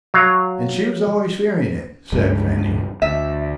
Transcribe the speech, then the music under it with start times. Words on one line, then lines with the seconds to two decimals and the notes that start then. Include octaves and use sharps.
"And she was always fearing it," said Fanny.
0.14 F#3 F5
2.12 C#2 G2 G#3
3.02 D2 E5